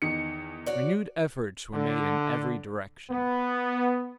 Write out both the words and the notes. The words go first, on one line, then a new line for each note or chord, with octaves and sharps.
Renewed efforts were made in every direction.
E2 D#3 C#7
F#4 C#5 D5
D3
B3